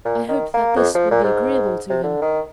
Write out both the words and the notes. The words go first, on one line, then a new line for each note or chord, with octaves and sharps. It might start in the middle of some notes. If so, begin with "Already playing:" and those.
I hope that this will be agreeable to him.
A#2
D#3
A#3
F2
F3
A#2
G#2
C3
D3
D#3